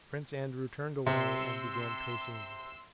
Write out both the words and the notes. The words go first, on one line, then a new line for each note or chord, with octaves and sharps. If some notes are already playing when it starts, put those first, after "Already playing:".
Prince Andrew turned away and began pacing the room.
C3 C6 E6